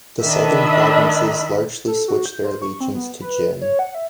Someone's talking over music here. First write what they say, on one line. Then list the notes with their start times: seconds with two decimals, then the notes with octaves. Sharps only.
The southern provinces largely switched their allegiance to Jin.
0.23 D#3 D4 D#5 E5 B5
1.87 A4
2.08 F#4
2.26 G6
2.44 C5
2.62 C#6
2.81 C4
2.94 B3
3.21 B4
3.61 C#5
3.79 F#5
3.95 E5